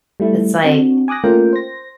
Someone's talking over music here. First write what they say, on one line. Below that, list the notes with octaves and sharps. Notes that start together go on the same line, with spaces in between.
It's, like,
G3 A3 E4
C4 D4 F#4
G#5 D6 D#6 F#6 A#6
A3 A#3 C#4 F4 A#4 G5
C5 A#6